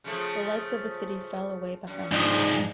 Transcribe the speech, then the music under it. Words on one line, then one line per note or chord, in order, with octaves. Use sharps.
The lights of the city fell away behind them.
C#3 F3 A3
F#2
G#2 F3 D4 D#5